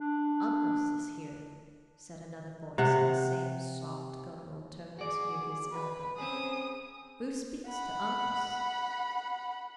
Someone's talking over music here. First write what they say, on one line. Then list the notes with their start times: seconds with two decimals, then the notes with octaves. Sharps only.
"Uncas is here," said another voice, in the same soft, guttural tones, near his elbow; "who speaks to Uncas?"
0.01 D4
2.78 C3 F#5
4.99 F#4 G#4 D5
5.72 B4
6.18 C4 C#4 G#4 D#6
7.68 F#5 B5